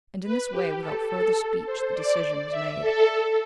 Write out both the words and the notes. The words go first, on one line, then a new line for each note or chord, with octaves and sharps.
And in this way, without further speech, the decision was made.
B4
G4
A4
A4
C5
D5
E5
A4